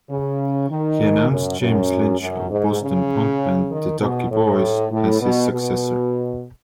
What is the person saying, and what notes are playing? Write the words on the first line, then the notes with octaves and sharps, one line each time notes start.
He announced James Lynch of Boston punk band The Ducky Boys as his successor.
C#3
D#3
F#2
F#2
F#2
G#2
C#3
D#3
B2
A2
A2
B2
B2